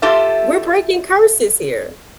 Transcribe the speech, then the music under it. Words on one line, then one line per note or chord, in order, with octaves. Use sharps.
We're breaking curses here.
F4 G4 A4 E5